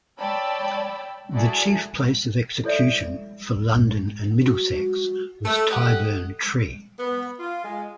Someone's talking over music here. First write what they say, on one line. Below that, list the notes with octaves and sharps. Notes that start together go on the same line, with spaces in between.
The chief place of execution for London and Middlesex was Tyburn Tree.
C#5 D5 G5 A5 B5 E6
E4 F#4 G#4 A4 D5
E4 A4 C#5 D5 E5
E2
G#2
F#4
A3 A4
G4 D#5 F#5
B3
F4
G#3